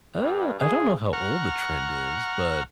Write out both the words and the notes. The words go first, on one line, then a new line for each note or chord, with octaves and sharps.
Uh, I don't know how old the trend is, but
G2
D2 C#3 G#4
F#5 A#5 C#6 F6